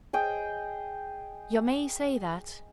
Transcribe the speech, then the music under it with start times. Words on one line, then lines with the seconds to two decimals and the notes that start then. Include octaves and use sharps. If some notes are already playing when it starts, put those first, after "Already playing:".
'Yo' may say that.
0.13 G#4 D#5 G5